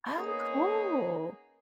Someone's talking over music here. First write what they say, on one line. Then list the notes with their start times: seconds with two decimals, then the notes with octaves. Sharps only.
Oh, cool!
0.16 A#3 B3 C#4 D#4 G#4